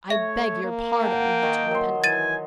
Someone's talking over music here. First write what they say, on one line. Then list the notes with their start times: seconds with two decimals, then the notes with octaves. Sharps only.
"I beg your pardon!" returned Pencroft.
0.10 A3 C#5 E5
0.64 A#3
1.02 F#5 G5 A5
1.42 D#3
1.71 F#3 C6
2.04 E3 G#5 A6 D#7